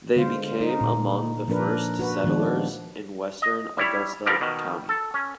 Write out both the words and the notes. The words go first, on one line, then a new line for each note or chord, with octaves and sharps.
They became among the first settlers in western Augusta County.
D3 G#3 C5 F5
D#4
A#2
F3 A#3 D4 A#4 B4
F#4 B4
D#3 F3 G#3 B3 D4
D#5
G3 E4 C#5
D3 F3 G3 A#4 D5
B2 D#3
A4
C#4